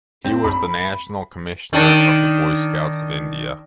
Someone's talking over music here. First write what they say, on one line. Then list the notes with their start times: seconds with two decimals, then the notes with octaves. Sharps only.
He was the National Commissioner of the Boy Scouts of India.
0.25 C4
0.44 B5
1.73 D#3 D4